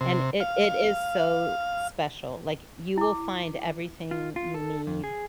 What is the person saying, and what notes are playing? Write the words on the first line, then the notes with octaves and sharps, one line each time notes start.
and it it is so special, like, you will find everything you need,
C3
F5
E4 D6
F4
F4
A4
F2
G#4